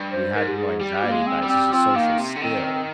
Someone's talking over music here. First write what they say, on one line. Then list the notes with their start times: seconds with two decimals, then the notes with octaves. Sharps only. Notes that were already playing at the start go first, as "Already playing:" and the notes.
We had no anxiety about it, it's just a social skill.
Already playing: G2
0.12 C5
0.35 G#2 A#4
0.48 G4
0.58 G#4
0.81 G3 G4
1.04 A#3
1.11 G#3
1.27 C4
1.42 G3
1.49 C4
1.72 F3 C4
1.95 D#3 A#3
2.18 C3
2.36 D3
2.41 D#3 C4
2.64 C4